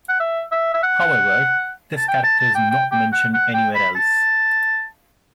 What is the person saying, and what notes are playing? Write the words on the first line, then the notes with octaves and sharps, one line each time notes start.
However, this character is not mentioned anywhere else.
F#5
E5
E5
E5
F#5
A5
G5
A5
A5
G5
G5
G5
F#5
F#5
G5
B5
A5